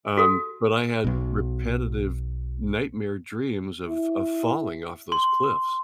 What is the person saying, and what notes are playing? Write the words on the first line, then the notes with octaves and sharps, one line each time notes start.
Um, but I had repetitive nightmare dreams of of falling off those cliffs.
F#4 A4
B1 B2
E4
C6